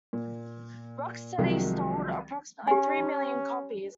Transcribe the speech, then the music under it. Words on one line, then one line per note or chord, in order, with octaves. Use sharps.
"Rock Steady" sold approximately three million copies.
A#2
C2 C3 D#3 F3 F#3 G#3
C#4 G4 G#5